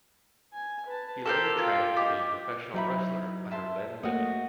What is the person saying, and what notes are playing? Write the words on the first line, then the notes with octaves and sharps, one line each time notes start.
He later trained to be a professional wrestler under Len Levy.
G#5
B4 A5
G4 A4 A#4 C5
F4 G5
G4 D#5
F#3 D#4 E4 B5
E5 A5 C6
A3 A#3 F#4 D#5